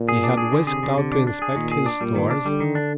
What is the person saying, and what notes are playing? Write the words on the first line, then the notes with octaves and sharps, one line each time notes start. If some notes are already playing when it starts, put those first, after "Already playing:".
He had whisked out to inspect his stores.
Already playing: A#2
G#4
D4
G#4
D3
C3 G#4
D3
D3
D4
D4
G#4
A#2 D#3
G#4
D4
A#2 G3
D#3
D4
D3 G3
D#3
D4